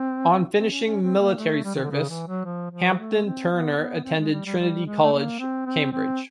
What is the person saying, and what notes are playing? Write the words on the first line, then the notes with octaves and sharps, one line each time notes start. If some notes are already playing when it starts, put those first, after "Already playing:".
On finishing military service, Hampden-Turner attended Trinity College, Cambridge.
Already playing: C4
C4
C4
C#4
C#4
C4
A#3
A3
G3
D#3
D3
C#3
E3
F#3
F3
F3
A3
C4
B3
B3
C4
G#3
G3
G3
G3
G#3
A3
A#3
C4
C4
C4